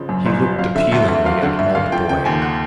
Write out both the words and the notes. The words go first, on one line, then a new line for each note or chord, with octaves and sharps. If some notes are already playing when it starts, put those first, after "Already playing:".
He looked appealingly at Maltboy.
Already playing: G1 C#3 F3
F#2
G1
F3
F#3 F5
D3 E5
D2 E5
D2 E5
F#3 F5
D3 F#5
D2 E5
D2 F5
F3 G5
C#3 G5
D#2 G#5
F#5